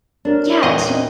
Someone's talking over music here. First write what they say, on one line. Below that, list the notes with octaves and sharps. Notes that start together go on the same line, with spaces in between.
Yeah, j
D4 F#4 A#4 C#5
E2 A#2 C4 D#5